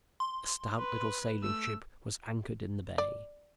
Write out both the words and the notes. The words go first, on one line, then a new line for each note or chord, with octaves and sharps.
A stout little sailing-ship was anchored in the bay.
C6
B4
A3 E6
D5